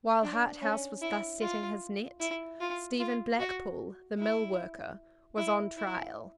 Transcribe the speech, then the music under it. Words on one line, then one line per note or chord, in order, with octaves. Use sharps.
While Harthouse was thus setting his net, Stephen Blackpool, the mill worker, was on trial.
D4
C#4
E4
F4
E4
F4
F4
F#4
E4
E4
E4